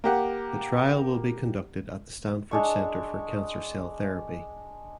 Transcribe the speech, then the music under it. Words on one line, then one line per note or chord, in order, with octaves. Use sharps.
The trial will be conducted at the Stanford Center for Cancer Cell Therapy.
A#3 G4 F#5
G#3 D4 C#6